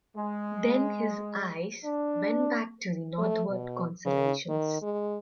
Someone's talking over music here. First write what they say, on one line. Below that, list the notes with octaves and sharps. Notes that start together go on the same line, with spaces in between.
Then his eyes went back to the northward constellations.
G#3
D4
A3
B2
C#3
D#3
G#3